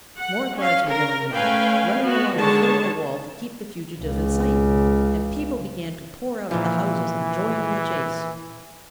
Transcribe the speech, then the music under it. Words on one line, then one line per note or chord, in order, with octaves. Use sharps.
More guards were yelling, now, running along the foot of the wall to keep the fugitive in sight, and people began to pour out of the houses and join in the chase.
F#5
C#4 F5
A#4
A3 C#4 B4 F5 G5 G#5
B3 F#4
D3 D#3 G#3 C#5 A5
C#2 C#3
A#2 E3 F3